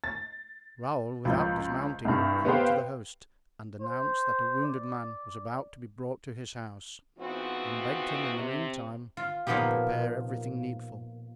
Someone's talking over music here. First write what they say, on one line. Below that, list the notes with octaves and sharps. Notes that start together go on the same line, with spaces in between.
Raoul, without dismounting, called to the host and announced that a wounded man was about to be brought to his house and begged him in the meantime to prepare everything needful.
A6
C#2 F3 G6
C2 G2
B3 G4 B4 C5 F5 G5
C5
D5
G#2 E3 B3 C4 F4 F#4
C3
F4
A#2 F3 A#3 B3 D#4 G4